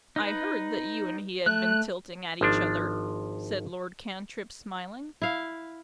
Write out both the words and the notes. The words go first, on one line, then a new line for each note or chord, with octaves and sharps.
"I heard that you and he had been tilting at each other," said Lord Cantrip, smiling.
D#4 B4
A3 F#6
G#1 F3 D4
E4 F5